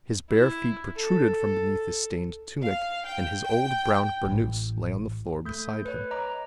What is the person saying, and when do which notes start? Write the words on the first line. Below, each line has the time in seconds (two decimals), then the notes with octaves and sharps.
His bare feet protruded from beneath His stained tunic, and His old brown burnous lay on the floor beside Him....
0.30 E4
0.97 A4
2.63 F5
3.07 G5
3.44 G5
4.25 A1
5.45 A3 G6
5.85 B4 C#5
6.11 D#5 A#5 D6